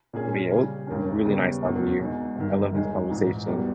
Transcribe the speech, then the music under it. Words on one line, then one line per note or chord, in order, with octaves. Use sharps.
but, yeah, it was really nice talking to you. I love this conversation.
A#2 A#3 C#4 G#4
C#3 G3 C#4 G#4
E1 D#2 D#3 A#3 C#4
D#2 C#3 G3 B3
E1 E2 B2 A#3
E2 B2 G#3 D#4
G1 G2 D#3
E1 D#2 D#3 G#3 D#4
A#1 G#2 E3
E2 B2 G3 B3